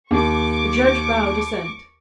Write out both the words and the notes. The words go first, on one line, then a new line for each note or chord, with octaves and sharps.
The Judge bowed assent.
D#2 C#6 D6